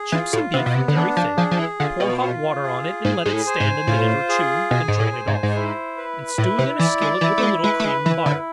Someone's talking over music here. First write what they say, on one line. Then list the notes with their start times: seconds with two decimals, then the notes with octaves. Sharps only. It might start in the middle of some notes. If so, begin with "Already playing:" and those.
Chip some beef very thin, pour hot water on it, and let it stand a minute or two, then drain it off, and stew it in a skillet with a little cream and butter.
Already playing: G#4
0.12 E3 F4
0.33 A2
0.54 C3 B3
0.66 B2
0.75 C3
0.88 D3
0.96 E3 D4
1.17 F3
1.37 F3 G#4
1.51 F3
1.59 E3
1.79 D3 F4
2.00 B2
2.21 F4
2.63 G#4
3.05 G#2 G#5
3.26 G#2
3.33 A2
3.47 C5
3.60 G#2
3.87 A2 F4
4.29 G#4
4.71 B2 G#5
4.88 G#2
5.00 A2
5.13 C5
5.27 G#2
5.43 G#2
5.55 E4
5.97 B4
6.38 A2 E4
6.59 C3
6.79 E3 D5
7.01 G#3
7.21 E3 E4
7.38 A3
7.43 G#3
7.64 G#3 B4
7.80 A3
7.85 G#3
8.05 E3 E4
8.26 D3